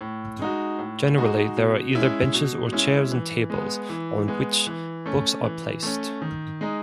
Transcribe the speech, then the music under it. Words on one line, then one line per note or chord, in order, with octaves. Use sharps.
Generally, there are either benches or chairs and tables, on which books are placed.
A2
G#3 D#4 F#4
A2
G#3 D#4 F#4
B2
G#3 C#4 E4
B2
G#3 C#4 E4
E3
G#3 B3
E3
G#3 B3
E3
A3 C#4
E3
A3 C#4
D#3
G#3 D#4